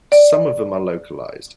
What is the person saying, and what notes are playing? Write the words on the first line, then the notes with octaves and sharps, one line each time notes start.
Some of them are localized.
D5